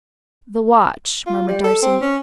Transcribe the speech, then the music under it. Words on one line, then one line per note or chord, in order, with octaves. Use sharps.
"The watch," murmured Darcy.
F4
G3
A4
C4
C#4